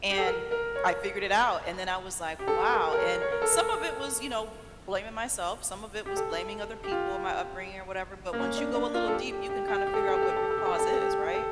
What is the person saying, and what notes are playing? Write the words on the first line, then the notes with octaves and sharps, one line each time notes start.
And, I figured it out, and then I was like, "Wow." And, some of it was, you know, blaming myself, some of it was blaming other people and my upbringing or whatever, but once you go a little deep, you can kinda figure out what root cause is, right?
G4
A4
A#4
A#4
C#5
G4
A4
A#4
A#4
C#5
C#5
A#4
A4
A#4
G4
A4
G4
F4
A#3
C#4
D4
D4
F4
A4
G4
G4
G4
G4
G4
A4
G4
A4
G4
A4
G4
A4
G4
A4
G4
A4
G4
A4
G4
A4
G4
A4